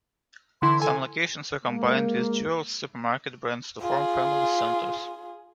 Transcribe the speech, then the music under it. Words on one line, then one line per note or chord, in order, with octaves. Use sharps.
Some locations were combined with Jewel's supermarket brands to form Family Centers.
D3 E3 E4 C6
A4 G#5
G#3 A#3
F4 G#4